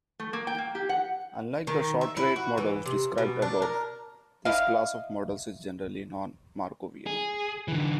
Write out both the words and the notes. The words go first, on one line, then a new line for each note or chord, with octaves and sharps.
Unlike the short rate models described above, this class of models is generally non-Markovian.
A3
A#3
G5
A#3
G4
F#5
D#3
E5
E4
F#4
E3
C3
B2
D4
A#4
E4 D#5 F5
G#4
D3 E3